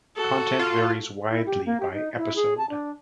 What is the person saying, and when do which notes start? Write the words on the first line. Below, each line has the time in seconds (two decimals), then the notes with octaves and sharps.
Content varies widely by episode.
0.16 F#4 A4
0.59 F4
1.31 E4
1.46 G4
1.66 A#3
1.80 G4
1.93 D#4
2.17 E4
2.36 G#4
2.58 A5
2.70 D4